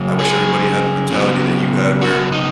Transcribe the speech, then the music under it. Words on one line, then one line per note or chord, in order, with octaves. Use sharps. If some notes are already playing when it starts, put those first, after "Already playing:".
I wish everybody had the mentality that you had, where
Already playing: C#3 F#3 C#4
G#4
C#3 F#3 B3
F#4
D#4